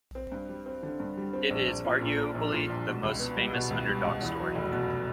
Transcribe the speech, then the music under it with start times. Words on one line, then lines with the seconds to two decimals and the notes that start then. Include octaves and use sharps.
It is arguably the most famous underdog story.
0.15 C4
0.32 G2
0.49 G3
0.66 C4
0.83 D3
1.00 G2
1.17 G3
1.33 C4
1.50 A#1
1.67 A#1
1.85 A#2
2.01 A#2
2.18 A#2
2.35 A#1
2.52 A#2
2.70 A#1
2.86 B2
3.03 C#2
3.19 B3
3.36 G3
3.53 B2
3.71 C#2
3.88 G3
4.04 C#2
4.21 E2
4.39 F#3
4.55 F1
4.72 B2